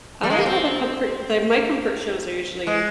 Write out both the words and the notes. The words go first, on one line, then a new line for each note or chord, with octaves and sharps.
I have a comfort the my comfort shows are usually
G3
G#3
A#3
C4
G#3